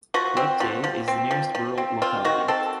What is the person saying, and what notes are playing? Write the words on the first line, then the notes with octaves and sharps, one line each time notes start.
Koepty is the nearest rural locality.
F3 F#4
C4
F3
F3
C4
F3
F3
C4
C4 F4
D#3 F#4
C4 A4